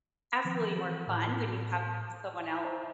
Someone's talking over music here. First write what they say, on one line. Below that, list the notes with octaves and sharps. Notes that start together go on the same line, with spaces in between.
absolutely more fun when you have someone else
D#3 F3 C4
E3
A2 D6
C5 D#5 E5 A5 A#5